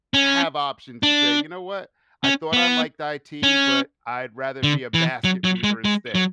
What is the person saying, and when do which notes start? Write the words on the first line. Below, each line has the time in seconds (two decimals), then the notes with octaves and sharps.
have options and say, "You know what? I thought I liked IT, but I'd rather be a basket weaver instead."
0.14 C#4
1.03 D4
2.24 C#4
2.53 B3
3.43 C#4
4.63 D3
4.94 E3
5.24 F#3
5.44 F#3
5.63 G#3
5.84 G#3
6.15 F#3